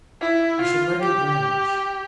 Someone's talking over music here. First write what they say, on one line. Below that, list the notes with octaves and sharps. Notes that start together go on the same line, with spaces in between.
'I should like it very much.
E4
F4
G4